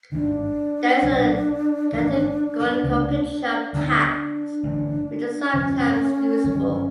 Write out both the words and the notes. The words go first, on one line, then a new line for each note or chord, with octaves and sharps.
There is a categorical picture of paths which is sometimes useful.
G#1 G2 D#3 D4
B1 A#2 F#3
A1 G#2 D#3
C#2 C3 F3 A3
D2 D3 G3 B3 D4
D#4
D4
A1 G2 D3
G1 F2 C3 F3 C#4
G1 G2 D#3 F#3